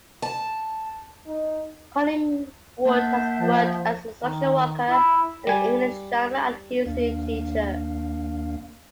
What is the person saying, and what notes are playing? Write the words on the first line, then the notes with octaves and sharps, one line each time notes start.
Collingwood has worked as a social worker and an English, drama and history teacher.
A5
D#4
A#3 E5 F#5 A5 G6
F3
D#3
E4
G3 G#5
D#2 A#3 D4 F5